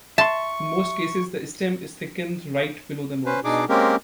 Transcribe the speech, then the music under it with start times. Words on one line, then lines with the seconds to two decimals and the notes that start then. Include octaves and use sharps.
In most cases the stem is thickened right below the nodes.
0.18 E5 A5 C6 C#6
3.26 C#4 B4 C5
3.44 B2 D4 D#4 G#4 D6
3.69 G#3 A#3 C4 C#4 G4 A#4